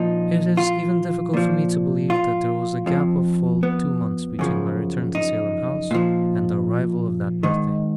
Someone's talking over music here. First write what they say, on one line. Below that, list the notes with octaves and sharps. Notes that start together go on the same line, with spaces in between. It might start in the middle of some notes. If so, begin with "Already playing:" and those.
It is even difficult for me to believe that there was a gap of full two months between my return to Salem House and the arrival of that birthday.
Already playing: A#2 F3 D#4
F4
A#2 F3
F4
F2 F3
B3
F#2 C#3 F3
D#4
A#2 F3
G#2 D#3